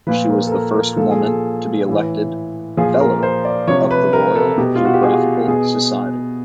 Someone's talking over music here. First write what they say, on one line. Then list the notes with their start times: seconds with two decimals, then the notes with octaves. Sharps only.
She was the first woman to be elected Fellow of the Royal Geographical Society.
0.07 A#2 F3 B4
0.29 A#4
0.47 A4
0.52 A#4
0.74 A#4
0.96 A#2 F3 A4
1.11 G#4
1.25 A4
1.87 A2 E3
2.77 A#2 F3 G#4
3.00 A#4
3.23 C5
3.45 D5
3.67 C3 F3 C#5
3.91 B4
4.13 A#4
4.35 A4
4.58 B2 G4
4.76 F4
4.85 F#4
4.94 G4
5.03 G#4
5.48 B2 G#4